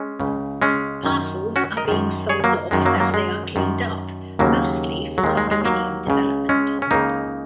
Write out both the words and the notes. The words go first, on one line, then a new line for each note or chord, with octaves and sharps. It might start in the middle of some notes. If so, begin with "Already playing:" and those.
Parcels are being sold off as they are cleaned up, mostly for condominium development.
Already playing: G#3 C#4
C#2 C#3
G#3 C#4
F#2 D#3
C#4 F#4
A#4 D#5
F#2 D#3
G#4 C#5
F#3 A#3
F#2 D#3 G#3
F#3 A#3
F#3 A#3
G#3
F#2 D#3
D#2 C#3 F#3 A#3
F#3
D#2 D#3 G#3
G#3
G#3
F#3 A#3
C#2 C#3
G#3 C#4
C#4
C#2 C#3 A#3 D#4